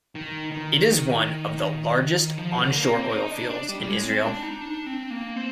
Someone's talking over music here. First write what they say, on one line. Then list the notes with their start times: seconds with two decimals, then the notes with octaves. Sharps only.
It is one of the largest on-shore oil fields in Israel.
0.15 D#3
0.52 D#3
2.38 F3
2.57 D3
2.75 A#3
2.94 C4
3.12 D#4
3.31 D4
3.50 D4
3.69 G3
3.80 G3
3.87 G#3
4.05 C4
4.23 D4
4.43 D#4
4.61 D4
4.87 C4
5.10 A#3
5.36 C4